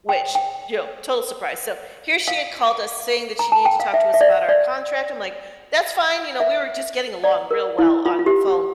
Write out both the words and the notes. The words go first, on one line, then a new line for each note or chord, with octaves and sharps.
Which, you know, total surprise, so, here she had called us saying that she needed to talk to us about our contract, I'm, like, "That's fine," you know, we were just getting along real well on the phone
G5
G5
F5
A#5
A5
G5
F5
E5
E5
D5
D5
E5
D5
A#4
E4
F4
F4
G4
G4